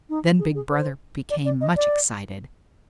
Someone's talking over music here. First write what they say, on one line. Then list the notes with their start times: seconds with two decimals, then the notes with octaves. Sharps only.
Then Big Brother became much excited.
0.09 D#4
0.39 G#4
0.55 G#4
0.70 C5
1.30 D5
1.45 D5
1.61 D#5
1.76 D5